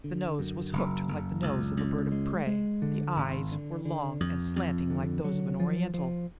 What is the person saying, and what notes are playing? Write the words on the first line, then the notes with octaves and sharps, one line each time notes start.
The nose was hooked like the nose of a bird of prey; the eyes were long and slanting like those of an Oriental.
D3
F#2
F#1
F#1
C#2
C#2
G#3
G#3
D3
G#1
D3
D3
F2
F2
D3
F#3
F3
F3